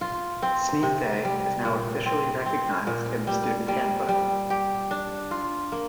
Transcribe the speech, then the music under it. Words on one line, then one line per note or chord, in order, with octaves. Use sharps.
Sneak day is now officially recognized in the student handbook.
F4
C4
C3
G3
A#2
C4
C4
A#2
G3
G3
G3
G4
D4
F4
A#3